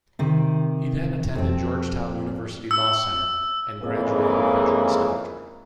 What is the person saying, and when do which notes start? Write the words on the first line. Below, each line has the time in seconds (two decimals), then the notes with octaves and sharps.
He then attended Georgetown University Law Center and graduated with a Juris Doctor.
0.19 C3 D#3
1.35 F2 C4
2.71 E6
3.81 F2 G#2 C#3 E3 G#3 A#3